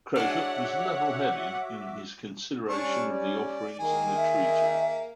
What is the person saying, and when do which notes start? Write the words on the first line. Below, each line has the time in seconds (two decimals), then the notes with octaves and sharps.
Crowfoot was levelheaded in his consideration of the offerings in the treaty.
0.16 G#3 D4 F#4 C#5 E5 F#5 D6
2.69 G3 C#4 D4 C#6
3.10 D5
3.79 D#3 A#3 G#4
4.16 E5